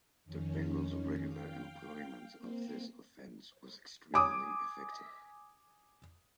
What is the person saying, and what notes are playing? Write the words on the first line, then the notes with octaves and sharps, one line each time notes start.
The Bengals' regular employment of this offense was extremely effective.
F2 D#3 C#4
F5 G5
A#3 C4
G#5 D6 D#6